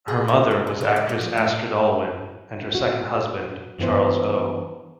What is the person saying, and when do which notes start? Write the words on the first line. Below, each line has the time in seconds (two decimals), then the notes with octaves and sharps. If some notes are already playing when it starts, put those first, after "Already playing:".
Her mother was actress Astrid Allwyn and her second husband, Charles O.
0.08 G#4
0.28 D#4
0.51 A4
0.67 D#2
0.81 C#3
0.96 D5
1.09 F#4
1.21 F3
1.37 A2
2.75 F#4
3.78 G2 E3 B3 B4 C5